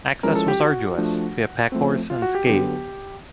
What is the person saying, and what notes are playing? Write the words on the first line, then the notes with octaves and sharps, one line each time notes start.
Access was arduous - via packhorse and ski.
F3 G#3 C#4 E4 A#4
A4
G4
F#4
F3 A3 D4
F3 A3 C4
F4
F#4
G4
D3 F#3 B3 D4 G4